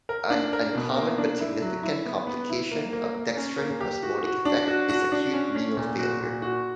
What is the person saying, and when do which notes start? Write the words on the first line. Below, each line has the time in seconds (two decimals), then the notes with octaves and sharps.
An uncommon but significant complication of dextran osmotic effect is acute renal failure.
0.09 A#4
0.30 D4
0.53 A#4
0.75 B2
0.96 A#3
1.18 D4
1.40 E4
1.62 F#3
1.83 E4
2.05 B3
2.27 B3
2.49 E4
2.71 A#3
2.93 A#3
3.15 A#3
3.37 C#4
3.58 A#3
3.81 G4
4.03 F#4
4.24 F#4
4.45 D4
4.68 F#4
4.89 F#4
5.12 D4
5.34 C#4
5.55 C#4
5.77 A#2
5.99 F#4
6.21 A#2
6.42 F#4